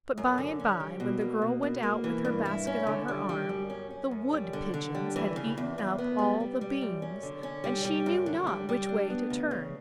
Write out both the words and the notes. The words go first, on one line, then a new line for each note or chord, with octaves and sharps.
But by and by, when the girl went out with her basket on her arm, the wood pigeons had eaten up all the beans, and she knew not which way to turn.
F#2
D3
C#4
G3
B2
A#3
B2
B2
A#3
E3
G2
E4
C#4
D3
G3
G3
F#2
C#4
C#4
F#2
G3
D3
D3
G3
E3
C#3
E2
E2
B3
G3
G3
G3
F#2
C#4
D3
C#4
G3
G3
F#2
D3
G3
G3
D4
B3
D2
C#3